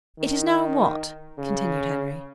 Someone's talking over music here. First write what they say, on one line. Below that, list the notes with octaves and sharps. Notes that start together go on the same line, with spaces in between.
"It is now what?" continued Henry.
D#3
C#3